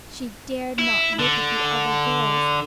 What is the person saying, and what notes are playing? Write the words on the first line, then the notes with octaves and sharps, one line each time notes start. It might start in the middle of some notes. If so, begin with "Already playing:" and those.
She dared not look at the other girls.
E4
D3